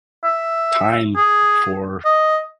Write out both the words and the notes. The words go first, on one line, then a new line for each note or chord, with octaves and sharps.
time for,
E5
G#4
D#5